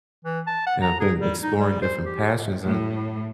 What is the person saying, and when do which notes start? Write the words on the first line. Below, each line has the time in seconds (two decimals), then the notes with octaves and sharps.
and I've been exploring different passions, and
0.25 E3
0.47 A5
0.66 F#5
0.82 A#5
1.00 G#4
1.19 G3
1.42 D#4
1.60 G3
1.82 C5
2.05 G4
2.64 A2